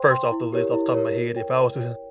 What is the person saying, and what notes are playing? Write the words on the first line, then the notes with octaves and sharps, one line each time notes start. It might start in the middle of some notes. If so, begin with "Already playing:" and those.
first off the list, off the top of my head, if I was to ha
Already playing: C5 G5 C6
G5 C6
E4
G4 A#4 C#5
E4
G4 A#4 C#5
A#4
C#5 G5
A#4
C#5 G5